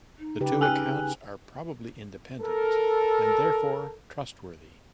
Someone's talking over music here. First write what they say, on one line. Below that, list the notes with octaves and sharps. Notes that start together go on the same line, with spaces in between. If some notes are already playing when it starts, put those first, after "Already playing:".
The two accounts are probably independent and therefore trustworthy.
D#4
C#3 G4 B4
G5 G#5 F#6
A4 A#4